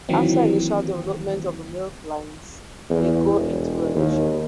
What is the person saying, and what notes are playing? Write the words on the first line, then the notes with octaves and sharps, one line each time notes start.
After initial development of the milk lines they go into remission.
D#3 E3 F#3 A#3 C4
E2
E1
D#2